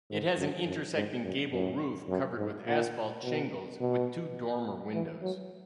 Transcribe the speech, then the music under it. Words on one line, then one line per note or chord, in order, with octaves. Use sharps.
It has an intersecting gable roof covered with asphalt shingles with two dormer windows.
G#2
F#2
F#2
G#2
F#2
F#2
F#2
G#2
A#2
B2
B2
E3
F#3